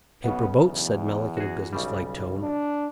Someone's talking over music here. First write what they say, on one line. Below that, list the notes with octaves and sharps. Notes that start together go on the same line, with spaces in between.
"Paper boats," said Melick, in a business-like tone.
B1 C#3 B3
E2
F#4 G#4
B1 C#3 G3
D4